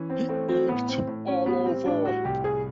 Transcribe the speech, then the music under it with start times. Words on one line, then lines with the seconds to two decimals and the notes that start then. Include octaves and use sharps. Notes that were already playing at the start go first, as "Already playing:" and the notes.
He ached all over.
Already playing: E3 C#4
0.10 C4
0.29 A3 C4
0.48 C4
0.68 A2 B3
0.88 C4
1.07 A2
1.27 C#4
1.46 G3 B3
1.65 C4
1.85 A2 D4
2.05 F#4
2.25 C2 G4
2.44 G#4